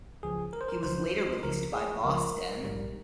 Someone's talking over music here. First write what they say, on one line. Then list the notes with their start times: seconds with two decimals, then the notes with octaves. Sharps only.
He was later released by Boston.
0.23 C#2 C#3 F3 G#4
0.53 A#4
0.61 C5
0.68 A#4
0.83 C#2 C#3 F3 C5
1.43 C#2 C#3 F3 A#4
1.73 G#4
2.03 C#2 C#3 F3 A#4
2.63 A#1 G#2 G3